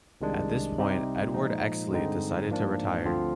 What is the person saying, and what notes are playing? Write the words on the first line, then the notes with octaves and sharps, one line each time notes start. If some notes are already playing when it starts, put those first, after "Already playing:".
At this point Edward Exley decided to retire.
C2 C3 D#3 G#3 D4
C3 G3 C4 D#4 G4
A#2 F3 G#3 D#4
G2 D3 G#3 C4 D#4
G#2 F3 A#3 D4
D2 D3 F3 C4 F4